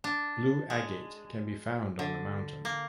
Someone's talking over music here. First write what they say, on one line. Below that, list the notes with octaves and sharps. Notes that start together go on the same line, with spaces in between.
Blue agate can be found on the mountain.
D4
G#3
D3
A#3